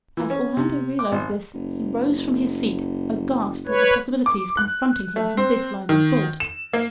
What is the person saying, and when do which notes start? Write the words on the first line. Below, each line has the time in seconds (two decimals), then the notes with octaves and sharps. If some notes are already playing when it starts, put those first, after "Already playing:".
As Orlando realised this, he rose from his seat, aghast at the possibilities confronting him from this line of thought.
0.17 E3
0.30 C#4
0.57 C3
0.99 D6
1.12 G#1
1.54 F#1
3.67 B4 C#5
4.26 D6
4.57 F#6
5.16 A3
5.37 C4
5.89 D#3
6.40 E7
6.73 A#3